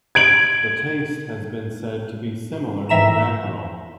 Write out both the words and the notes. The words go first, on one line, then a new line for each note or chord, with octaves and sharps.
The taste has been said to be similar to mackerel.
G#6 D7 F#7
G#2 D#3 E3 E5 A#5 E7